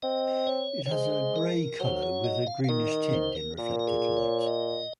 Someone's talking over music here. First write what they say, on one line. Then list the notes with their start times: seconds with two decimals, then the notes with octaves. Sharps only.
It has a gray color with a greenish tint in reflected light.
0.03 C4 D#5
0.47 C#5
0.86 C#5
0.91 G#3 C5
1.36 A#4
1.80 F#3 C5
2.03 C#5
2.24 D#5
2.47 F5
2.64 F5
2.69 D#3 D#5
2.91 D#5
3.13 C5
3.35 A#4
3.58 A#2 A#4
3.79 A#4
3.88 G#4
4.17 C#5
4.47 D#5